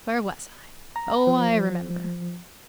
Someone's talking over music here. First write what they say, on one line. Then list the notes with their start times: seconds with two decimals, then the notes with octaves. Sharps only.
Where was I? Oh, I remember!
0.96 A#5
1.27 F3